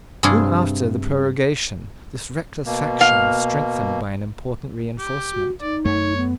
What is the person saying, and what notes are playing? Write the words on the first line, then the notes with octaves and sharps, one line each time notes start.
Soon after the prorogation this reckless faction was strengthened by an important reinforcement.
G2 C3 F4 G#4
B2 A#3
F5
G4
F#4
D#4 D5
F#2 A3 C#5
B3